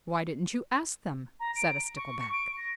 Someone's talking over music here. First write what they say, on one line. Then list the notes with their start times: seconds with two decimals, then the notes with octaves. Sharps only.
"Why didn't you ask them?" said a Stickleback.
1.40 A#5
1.56 D7
1.96 C#6
2.19 C#6
2.32 D7
2.57 A#6